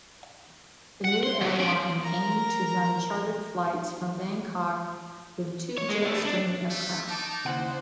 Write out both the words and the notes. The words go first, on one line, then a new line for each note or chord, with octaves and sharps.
The new airline aimed to run chartered flights from Bangkok with two Jetstream aircraft.
F#5
C6
F3 F#3
C#4 D5
A#4 A#5
C#5
G#3
G3 A3
D4
A3
D#4 A5 D6
D#2 C#3 C4 E4 C5 F#5